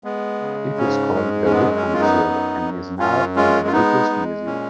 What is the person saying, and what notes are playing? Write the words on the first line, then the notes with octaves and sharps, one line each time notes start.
It is called the Witham Shield and is now in the British Museum.
G#3 B3
C#3
G#2 C#4
G#3
C#4
F#2 B3
C#4
F#2 F4
B3 D#4
F#2
F#2
F#2 C#4 F4
G#3 C#4 F4
F4
G#3 B3 D#4
G#3
A#2 C#4